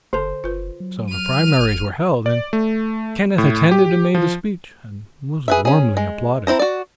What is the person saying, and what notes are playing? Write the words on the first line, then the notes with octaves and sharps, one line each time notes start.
So the primaries were held and Kenneth attended and made a speech, and was warmly applauded.
F#1 D3 A4 C5 A5
F#1 F4 B4
F#3
F6 D#7
F1
D5
A3
A2
G4
F3
G#4 B4 E5
C#4 G#4
G#3
C4 E4 C5 A#5
F#4 D5